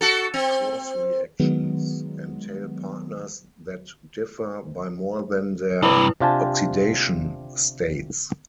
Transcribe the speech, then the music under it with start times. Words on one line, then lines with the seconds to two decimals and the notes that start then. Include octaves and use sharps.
Cross reactions entail partners that differ by more than their oxidation states.
0.01 F#4 A4
0.34 C4
1.40 D#3 F#3 G#3 B3
5.82 G2 C3 E4 B4 B5
6.20 C3 D4 F4 G4 G#5 A5